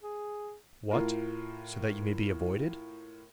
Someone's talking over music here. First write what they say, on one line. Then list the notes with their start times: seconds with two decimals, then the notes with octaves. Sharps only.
"What! so that you may be avoided?"
0.03 G#4
0.91 A2 F4 A#4